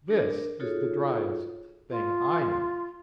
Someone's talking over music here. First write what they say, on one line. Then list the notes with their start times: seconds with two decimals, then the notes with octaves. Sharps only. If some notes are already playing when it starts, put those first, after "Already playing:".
This is the driest thing I know.
0.08 D4 A#4
0.60 D#4 F4 F#4 G#4 A4 C#5
1.90 F4